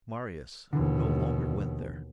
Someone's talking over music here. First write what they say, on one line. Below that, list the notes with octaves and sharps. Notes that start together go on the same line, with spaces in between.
Marius no longer went there.
D#2 B2 D3 E3